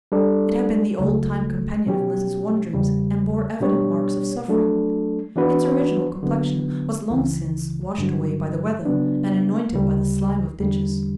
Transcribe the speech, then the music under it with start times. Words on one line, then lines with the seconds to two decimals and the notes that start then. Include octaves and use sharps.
It had been the old-time companion of Mliss's wanderings, and bore evident marks of suffering. Its original complexion was long since washed away by the weather and anointed by the slime of ditches.
0.12 G3 D4 A4 D5
0.99 C#2 C#3 F#3 A3
1.86 B2 F#3 C#4 G4
2.74 E2 C#3 G3
3.61 B2 G3 D4 G4 C#5
4.48 F#3 A3 D4 A4
5.36 E3 B3 D4 F#4 B4
6.23 D3 F#3 B3
7.10 C#2 C#3 E3
7.98 G2 D3 F#3
8.85 C#3 F#3 B3 D4
9.72 D2 C#3 G3
10.60 E2 D3 G3